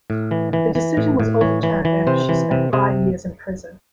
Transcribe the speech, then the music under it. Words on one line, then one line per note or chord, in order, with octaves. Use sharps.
The decision was overturned after she spent five years in prison.
A2
E3
E3
E3
A2
A2
E3 C#5
E3
E3
C3 C5
E3
C3
C3 G#4